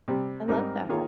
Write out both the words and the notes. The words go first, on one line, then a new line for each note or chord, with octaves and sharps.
I love that.
C3 G3 C4
G#2 G3 C4 D#4 A#4
D#3 A#3 F4 G#4 C#5